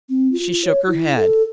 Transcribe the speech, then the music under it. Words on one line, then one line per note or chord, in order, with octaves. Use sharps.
She shook her head.
C4
F4
C#5
E4
A4